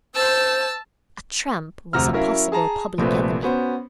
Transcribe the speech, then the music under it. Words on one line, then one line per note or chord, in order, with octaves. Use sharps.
A tramp was a possible public enemy.
C5 A5 E6
F1 D2 C3 A#5 E6 F6
F#3 C#4 E4 A#4 E5 F5
G#4 A5 A#5
A#1 C3 A3 B4
B3 C#4 F#4 C5